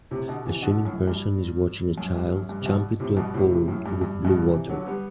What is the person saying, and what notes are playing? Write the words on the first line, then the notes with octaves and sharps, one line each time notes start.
A swimming person is watching a child jump into a pool with blue water.
A2 C3
B2 D3
C3 E3
B2 D3
F#2 A2
G2
F#2
G2
F#2
G2
C3
G2 B2
A2 C3
G2 B2
A2 C3
A2 C3
F#2 A2
G2
G2
G2 B2
C3 E3
D3 F#3
G3 B3